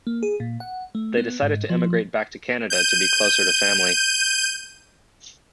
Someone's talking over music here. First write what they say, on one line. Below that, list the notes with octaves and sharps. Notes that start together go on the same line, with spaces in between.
They decided to emigrate back to Canada to be closer to family.
A#3
G#4
A#2
F#5
A3
B3
G#2
F3
G6 D#7